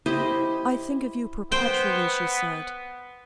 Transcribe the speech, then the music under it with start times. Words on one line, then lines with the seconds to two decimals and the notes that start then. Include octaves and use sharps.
"I think of you perpetually," she said.
0.06 E4 G4 C5 D#5
1.52 B3 C5 G5